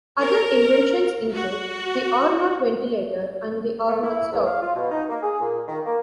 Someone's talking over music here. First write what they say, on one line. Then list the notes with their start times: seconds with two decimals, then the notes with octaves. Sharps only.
Other inventions include the Arnott ventilator and the Arnott stove.
0.20 A#4
1.33 F#4
3.87 A3
4.03 E4
4.32 E2
4.46 F5
4.62 F4
4.75 B2
4.91 D#4
5.09 A#3
5.22 G#4
5.41 A#2
5.68 D#3
5.86 A#3